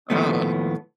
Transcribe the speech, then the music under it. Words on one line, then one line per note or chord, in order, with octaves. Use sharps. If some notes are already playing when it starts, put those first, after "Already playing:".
Oh n
D#2 A2 F3 A3 B3